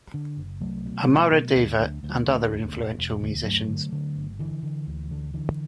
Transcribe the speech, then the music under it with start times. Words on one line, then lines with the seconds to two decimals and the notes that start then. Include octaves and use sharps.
Amaradeva, and other influential musicians.
0.14 D3
0.37 F#1
0.61 C2 F#3 A3
0.85 B2
1.08 B2
1.32 B2
1.55 D2
1.79 D2
2.03 D2
2.27 D2
2.51 E1
2.74 E1
2.98 E1
3.22 D2
3.44 G2 F#3 A3
3.68 D3
3.92 D3
4.16 G1
4.39 D3 E3
4.63 D3
4.87 D2
5.11 D3
5.34 D3 E3